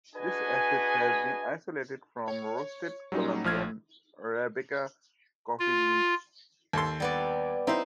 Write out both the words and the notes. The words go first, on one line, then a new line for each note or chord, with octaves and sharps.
This acid has been isolated from roasted Colombian arabica coffee beans.
D4 F#4 G#4 B4 D#5 G#5
C#5
F#3 G3 C#4 D#4
A#1 F3 F6 G#6
F4
D#2 A4 C6
G3 B3 D5
C4 D#4 E4 C5